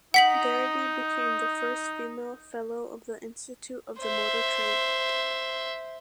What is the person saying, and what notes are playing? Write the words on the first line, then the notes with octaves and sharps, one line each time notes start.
Verity became the first female Fellow of the Institute of the Motor Trade.
D#4 F#5 B6 F#7
C5 E5